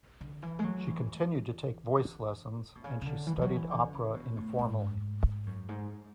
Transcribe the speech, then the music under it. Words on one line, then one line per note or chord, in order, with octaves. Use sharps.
She continued to take voice lessons, and she studied opera informally.
D3
E3
G#3
F#3
E3
D3
B2
C#3
C#3
D3
E3
E3
F#3
E3
D3
C#3
B2
A2
G#2
F#2
G#2